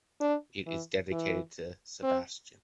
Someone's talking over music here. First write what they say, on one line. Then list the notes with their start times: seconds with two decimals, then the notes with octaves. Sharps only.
It is dedicated to Sebastian.
0.21 D4
0.66 E3
1.12 E3
2.03 C4